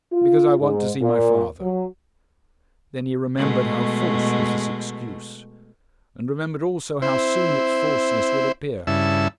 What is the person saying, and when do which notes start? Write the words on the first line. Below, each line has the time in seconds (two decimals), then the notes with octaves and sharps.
'Because I want to see my father.' Then he remembered how false was this excuse; and remembered also how soon its falseness would appear.
0.13 F4
0.60 G#2
1.01 A#2
1.61 F#3
3.37 B2 G#3 A3
7.02 C4 E4 C5
8.87 G2 C#3 E4 A5 E6